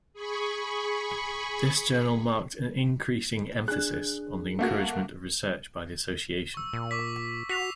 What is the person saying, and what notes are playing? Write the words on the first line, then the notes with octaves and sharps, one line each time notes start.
This journal marked an increasing emphasis on the encouragement of research by the Association.
G#4 B5 C#6
D4 G#4 F#6
A3 A#3 F#4
C#6 E6
A#2
C#6 D6 B6
F#4 B6 C7 F7